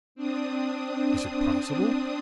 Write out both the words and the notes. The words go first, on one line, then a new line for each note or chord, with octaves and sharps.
"Is it possible?"
C4 D4 D#6